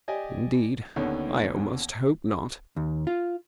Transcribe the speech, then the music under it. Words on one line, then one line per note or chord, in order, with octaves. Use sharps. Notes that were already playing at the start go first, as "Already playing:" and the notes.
Indeed, I almost hope not.'
G4 D5 D#5 G#5
D#2 D3 B3 C#4
D#2
F4